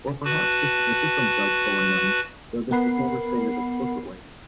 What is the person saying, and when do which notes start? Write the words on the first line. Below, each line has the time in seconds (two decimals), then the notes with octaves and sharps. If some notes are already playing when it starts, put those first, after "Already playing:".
Or perhaps this is a different Judge Bullingham, though this is never stated explicitly.
0.25 F#4 B4 A5
2.71 B3 A#4 F#5 B5 C7